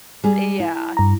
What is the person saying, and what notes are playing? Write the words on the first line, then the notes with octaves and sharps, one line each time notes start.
Uh, yeah.
G3 G#4
E4
G2 A#5